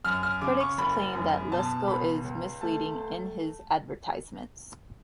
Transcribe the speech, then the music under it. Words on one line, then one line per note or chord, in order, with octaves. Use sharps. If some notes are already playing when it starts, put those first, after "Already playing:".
Critics claim that Lesko is misleading in his advertisements.
F#2 F6
F6
C#3 D6
C#6
F#1 B5
F#2
B2 A5
C#2 B5
C#2
A3 A5